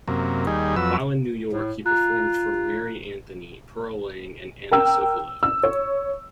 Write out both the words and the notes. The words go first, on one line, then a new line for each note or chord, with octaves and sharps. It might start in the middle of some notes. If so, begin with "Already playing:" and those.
While in New York he performed for Mary Anthony, Pearl Lang, and Anna Sokolow.
F#2 C3 A#3
D#2 G3 D#4 G#4
F2 F#3 B4 E6
A2
F4 A#5 F#6
A#4 G5 E6
E6
C#5